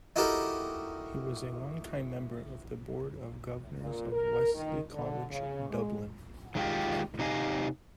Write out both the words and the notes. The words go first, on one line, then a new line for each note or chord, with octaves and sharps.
He was a longtime member of the board of governors of Wesley College, Dublin.
D#4 E4 F#4 G4 A4 A#4
A#2
A#4
D#3
D3
C#3
G#3
D#3 G#3 C4 E4 F4 G4
C3 D#4 G4 D#5 F5 G#5